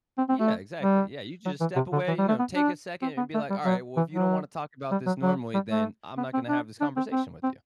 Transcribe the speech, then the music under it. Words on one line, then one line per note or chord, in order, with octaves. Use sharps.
Yeah, exactly, yeah, you just step away, you know, take a second and be, like, "All right, well, if you don't wanna talk about this normally, then I'm not gonna have this conversation with you."
C4
C4
A3
G3
F#3
E3
C3
D3
E3
G3
A3
B3
D4
C4
B3
A3
G3
F#3
E3
F#3
G3
F#3
F#3
G3
A3
B3
C4
D4
D4
C4
C4
C4